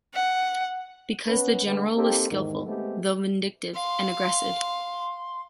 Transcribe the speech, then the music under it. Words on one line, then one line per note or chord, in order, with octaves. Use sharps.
Because the General was skillful, though vindictive and aggressive.
F#5
B3 C#4 B4
D3 G#3 A3 B3
A#3 C4 D#4 G4 A4
E2 G#2 D#3
G#3 A3 B3 C4 G4
F5 C6